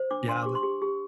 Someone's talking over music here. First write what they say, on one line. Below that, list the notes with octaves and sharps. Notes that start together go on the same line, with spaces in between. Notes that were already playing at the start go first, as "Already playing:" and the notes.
Yeah, that
Already playing: C5
D4 D6
D4 C6
G4 D6
C6
G4
G4